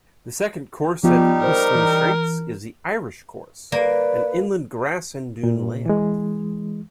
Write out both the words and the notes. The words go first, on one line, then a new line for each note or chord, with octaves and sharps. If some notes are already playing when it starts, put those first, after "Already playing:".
The second course at Whistling Straits is the Irish Course, an inland grass-and-dune layout.
F3 G3 B3 D#4 F4 G4
A#4 C5
E3
A#3 B4 D5
A#2
E3 G#3